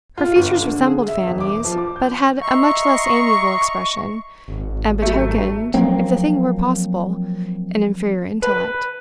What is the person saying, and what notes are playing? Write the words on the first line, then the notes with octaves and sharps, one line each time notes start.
Her features resembled Fanny's, but had a much less amiable expression, and betokened, if the thing were possible, an inferior intellect.
F4
G1
D3
G#4
E5
E1
D6
F3
D6
G6
D#5 E5 A#5 C6 C#6
G#1
F#3 A3
F3 F#3 A#3 C4
B4